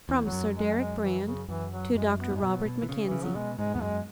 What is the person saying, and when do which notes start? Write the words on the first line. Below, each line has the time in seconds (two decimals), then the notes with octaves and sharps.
From Sir Deryck Brand to Dr. Robert Mackenzie.
0.09 E2
0.24 E2 F#3
0.32 F#2
0.56 G#3
0.79 G#3
1.02 E3
1.25 C#3
1.49 F#2 E3
1.72 F#3
1.95 F#2 G#3
2.19 B3
2.30 G#2
2.36 G#3
2.42 B2 F#3
2.65 B2
2.82 E3
2.89 C#3
3.04 E3
3.11 C#3
3.24 F#3
3.34 B2 G#3
3.59 G#2 G#3
3.74 E2 B3
3.81 F#2 G#3